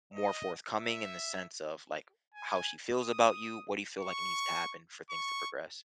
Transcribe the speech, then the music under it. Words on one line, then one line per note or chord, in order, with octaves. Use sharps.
more forthcoming in the sense of, like, how she feels about you? What do you feel like needs to happen for things to progress?
D#5
E5
G#5
D#6
C#6
C#6